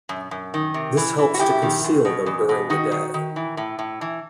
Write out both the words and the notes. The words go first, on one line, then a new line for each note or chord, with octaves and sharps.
This helps to conceal them during the day.
F#2
F#2
D#3
C3
E3
E3
F#4
F#2 E4 G4
D#3
F#2
B2
E2
B2
D#3 D#4 F#4
D#3
D#3
E3
A2
A2
E3